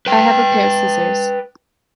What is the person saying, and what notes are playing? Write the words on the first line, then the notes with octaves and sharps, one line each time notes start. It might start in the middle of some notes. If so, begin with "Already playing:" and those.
I have a pair of scissors.
B4 G5